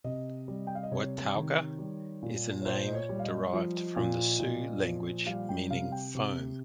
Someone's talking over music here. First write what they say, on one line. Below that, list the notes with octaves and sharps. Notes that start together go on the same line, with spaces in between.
Watauga is a name derived from the Sioux language meaning "foam".
C3 D#5
G3
G5
F5
D#5
C3 C#5
D#3
G3
A#2
C#5
A#2 C5
D#5
C#5
G3
F5
D#5
F3
A#2
A#2
F3
G3 F5
G5
C3 F5
G5
C3